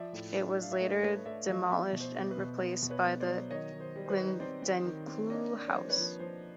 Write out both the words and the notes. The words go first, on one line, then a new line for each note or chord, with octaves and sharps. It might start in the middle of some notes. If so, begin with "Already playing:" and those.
It was later demolished and replaced by the Gyldenklou House.
Already playing: F3 D5 E5
A2
D4
D4 F5
E5
A3 C#5 D#5
A3 B4 C#5
A3 D5 E5
F3 D#5 F5
B3 D5 E5
B2
C5
B3
B4
B2
B3
B2
B4 C#5
B3
C5 D5
F#3
D#3 C#5 D#5
D#3
C5
G3
C5
B4 C#5
D#4
C4 C5 D5
C4
D#3
C4
D4 C#5 D#5
A#3
D5
C#5
F3 C5 D5
B4 C#5
F3
F3 C5